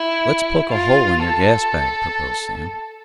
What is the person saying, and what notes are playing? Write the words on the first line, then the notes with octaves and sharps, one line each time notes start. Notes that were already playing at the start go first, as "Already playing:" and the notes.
"Let's poke a hole in their gas bag," proposed Sam.
Already playing: E4
F4
A4